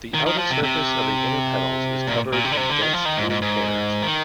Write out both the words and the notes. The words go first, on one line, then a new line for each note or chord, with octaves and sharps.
The outer surface of the inner petals is covered in dense woolly hairs.
D#3
D#3
F3
C3
C3
A#2
A#2
C3
D3
C3
D3
D#3
F3
D#3
G#2
G#2
G#2
D#3